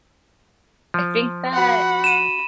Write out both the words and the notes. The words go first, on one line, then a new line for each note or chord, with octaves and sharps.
I think that
F3
F#4 F#5 B5
D#7 E7